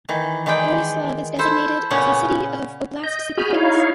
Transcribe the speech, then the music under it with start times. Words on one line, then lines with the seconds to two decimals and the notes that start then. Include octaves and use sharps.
Boryslav is designated as a city of oblast significance.
0.09 D#3 E3
0.46 D#3 E3 G#3 D5 G5
1.39 E4 A4 C5
1.90 A#2 C#3 B3 C#4 F#5
3.04 D#5 G6
3.37 F#4 G#4 G#5 B5 F6 G6
3.53 D#4 E4 C#5 F5